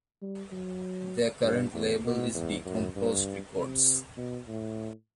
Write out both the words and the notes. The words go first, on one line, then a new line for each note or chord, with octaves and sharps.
Their current label is Decomposed Records.
G3
F#3
G2
E2
B2
E2
F#2
G2
C3
B2
A2